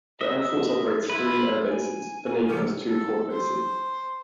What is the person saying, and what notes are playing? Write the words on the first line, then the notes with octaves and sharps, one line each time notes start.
The air force operates three air bases; the navy has two port bases.
D#5 E5
E4 F4 B4
G#5
F#4 A4
C2 C#3 F3 A#3 G4 A4 D6
A4
C5